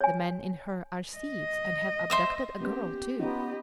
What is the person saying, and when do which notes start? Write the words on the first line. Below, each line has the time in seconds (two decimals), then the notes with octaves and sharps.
The men in her are thieves and have abducted a girl, too.
0.01 C#5 G#5
1.17 D#5
2.10 C5 E5 D#6
2.60 A#3 B3 C#4 G4
3.19 B3 C#4 D#4 F4 G4 D#5